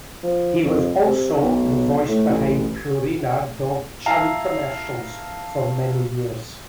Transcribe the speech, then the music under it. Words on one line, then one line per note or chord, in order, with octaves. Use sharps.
He was also the voice behind Purina Dog Chow commercials for many years.
F3
F2
C3
B1
A2
A1
E4 F5 A5 A#5